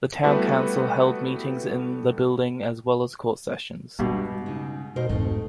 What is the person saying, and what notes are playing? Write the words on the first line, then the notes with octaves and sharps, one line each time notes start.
The town council held meetings in the building as well as court sessions.
G3 A3 B3 E4 F#4 B4
G2 B2 G#3 D4 G4
C#3 D#4
B2 D#4 A#4 C5
F2 G#2 C3 A3 D#4